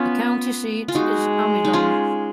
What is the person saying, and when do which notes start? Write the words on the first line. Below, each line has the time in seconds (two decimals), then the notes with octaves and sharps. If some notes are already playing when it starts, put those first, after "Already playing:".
The county seat is Amidon.
Already playing: B3 C#4 F4
0.88 F4
0.95 G#3 D#4 F#4
1.65 D#4
1.73 C#4 F4